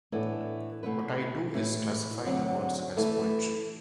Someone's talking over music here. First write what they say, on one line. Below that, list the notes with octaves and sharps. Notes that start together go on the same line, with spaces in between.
What I do is classify the words as poetry.
A2 E3 B3 D4 A4
B2 A3 E4 B4
A2 E3 A3 E4
D2 D3 F#3 C4 F#4
E3 A3 E4 A4